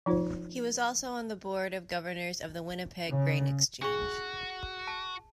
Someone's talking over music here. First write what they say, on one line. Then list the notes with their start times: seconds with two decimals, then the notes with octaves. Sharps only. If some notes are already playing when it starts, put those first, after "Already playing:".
He was also on the board of governors of the Winnipeg Grain Exchange.
0.06 F3 D#4 F4 C5
3.09 C#3
3.82 D4 F#4 G#4 C#6
4.87 A5